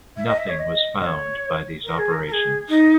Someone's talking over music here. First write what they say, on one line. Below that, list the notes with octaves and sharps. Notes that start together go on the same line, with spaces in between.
Nothing was found by these operations.
E5
D#5
E5
C#5
D#5
D#5
C#5
A#4
G#4
A#4
A#4
G#4
D#4